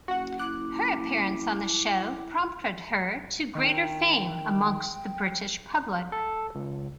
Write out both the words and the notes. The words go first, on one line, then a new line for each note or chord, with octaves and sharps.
Her appearance on the show prompted her to greater fame amongst the British public.
F#1 F#4 F#5
E4 D6 F#6
D#3 G5
A4
C#2